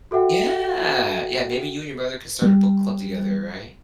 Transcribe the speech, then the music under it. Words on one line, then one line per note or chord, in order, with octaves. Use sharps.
Yeah, yeah maybe you and your mother can start a book club together, right?
F#4 A4 E5 F#5 G5
G3